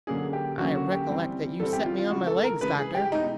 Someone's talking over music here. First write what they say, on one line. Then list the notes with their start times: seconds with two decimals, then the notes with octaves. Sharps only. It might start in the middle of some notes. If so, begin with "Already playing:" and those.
"I recollect that you set me on my legs, doctor."
0.07 D3 F#3 A#3 C#4 G#4
0.33 G4
0.58 D3 F#3 A#3 C#4 F#4
0.75 F#4
0.92 G4
1.09 E3 G3 C4
1.60 E3 G3 C4 A4
1.73 G4
1.85 F4
1.98 F4
2.10 C#3 E3 G#3 F#4
2.27 A4
2.44 A#4
2.61 C#3 E3 G#3 B4
2.78 G#4
2.95 G4
3.12 B2 G#3 B3 D#4 E4